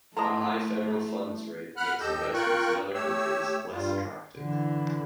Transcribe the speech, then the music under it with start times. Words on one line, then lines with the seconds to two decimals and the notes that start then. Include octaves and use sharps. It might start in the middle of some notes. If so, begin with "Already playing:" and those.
A high federal funds rate makes investments in other countries less attractive.
0.17 A3 E4 A4 D#5 A5 A#5 C6
1.77 F#5 B5 F6 F#6
2.00 D#2 G4 A4 D#5 E6 G6
2.33 F4 A#4 G5 C#6 F#6
2.94 A3 G4 C#5 E6
3.71 G2 G3 F4
4.38 D3 E3